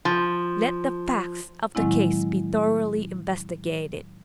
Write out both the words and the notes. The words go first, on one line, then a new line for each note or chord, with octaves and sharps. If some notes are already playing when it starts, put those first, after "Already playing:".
Let the facts of the case be thoroughly investigated.
F3
A2 D#3 F#3 G#3 C4 E4